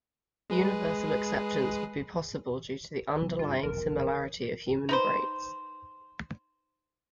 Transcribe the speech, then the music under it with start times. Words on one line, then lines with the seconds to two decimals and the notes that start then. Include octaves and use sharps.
Universal acceptance would be possible due to the underlying similarity of human brains.
0.50 G#3 G#4 B4
3.22 C3 F#3 B3
3.39 G2 F4
3.63 F1 B1 E2 A#4
4.89 D#4 B4 C5